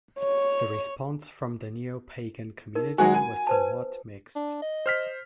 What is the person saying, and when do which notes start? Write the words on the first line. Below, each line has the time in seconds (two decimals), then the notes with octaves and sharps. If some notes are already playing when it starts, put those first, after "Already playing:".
The response from the Neopagan community was somewhat mixed.
0.19 C#5
2.75 D#4 A#4
2.98 F#3 G#3 F#4 F#5 G#5
3.14 F#4 G#5
3.47 B4 C5 A5
4.36 D4
4.62 D#5
4.86 C5 F6 B6